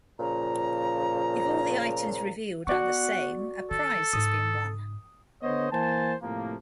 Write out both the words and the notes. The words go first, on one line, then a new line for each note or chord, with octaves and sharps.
If all the items revealed are the same, a prize has been won.
A#2 C#3 F3 A#5
B3 F#4 D5 F#5 C#6
D#3 A4
G#2 C#3 D#6
D3 B3 C5 C#5 D#5
E3 A#3 C5 G#5 A5
A2 C3 F3 A#3